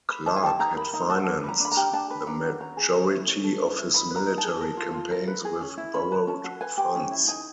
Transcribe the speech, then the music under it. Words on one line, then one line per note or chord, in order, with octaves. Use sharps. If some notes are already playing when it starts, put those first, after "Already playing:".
Clark had financed the majority of his military campaigns with borrowed funds.
B4
D#4 A5
G#5
G4 A5
D#4 A#5
A#4 B5
D#4 A#5
F#4 A5
D4
B4 A#5
D4 B5
A#5
G4
D4 A5
B4
D4 A#5
F#4
C#4 A#5
G#4
C#4
E4
C#4
A4
C#4
E4
D#4 B5
B4
A#5
D#4
A5
G#4
A#4
F4
F4
A#4
B4
G#4
C#4
E4
C#4 B5
B4
C#4 A5
F#4
B4 G#5
G4
C#4
E4
D#4 G#5